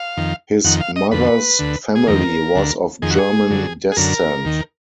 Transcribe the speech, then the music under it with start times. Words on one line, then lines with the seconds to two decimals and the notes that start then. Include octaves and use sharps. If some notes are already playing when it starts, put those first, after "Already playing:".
His mother's family was of German descent.
Already playing: F5
0.17 F2 D#3
0.64 F2 D#3 F#5
0.80 F5
0.96 D#5
1.11 F2 D3 B4
1.59 D2 D3
1.95 G#4
2.07 F2 D#3 A#4
2.55 D2 D3
3.02 F2 D#3 G#4
3.10 F#4
3.18 G#4
3.50 F#2 D3
3.92 G#4
3.96 F#2 D3 A#4
4.45 D#2 D#3